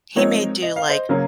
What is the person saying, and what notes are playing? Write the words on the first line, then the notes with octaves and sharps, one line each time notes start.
he may do, like,
F3 G#3 C4 D#4 A#4 C#5
D#5
F5
C5 D#5
C#3 F#3 A#3 C#4